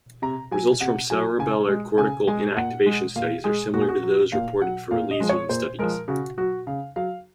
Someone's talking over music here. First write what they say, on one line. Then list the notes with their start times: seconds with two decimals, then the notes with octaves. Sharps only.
Results from cerebellar cortical inactivation studies are similar to those reported for lesion studies.
0.22 C3 A#5
0.51 F#3 G#5
0.81 C3 F#5
1.10 F#3 G#5
1.39 C#3 G#5
1.69 G#3
1.98 C#3 G#5
2.28 G#3 G#5
2.57 A#2 F#5
2.86 G#3
3.16 A#2 F5
3.44 G#3 G#4
3.73 A#2 F#4
3.81 G#4
3.89 F#4
4.03 F#3
4.32 A#2 F5
4.61 F#3 F#5
4.91 A#2 F5
5.11 D#5
5.20 F3 G#3
5.29 C#5
5.49 A#2 C5
5.79 F3 G#3 A#4
6.08 C#3 F#4
6.38 F#3 F#4
6.67 C#3 F5
6.96 F#3 F5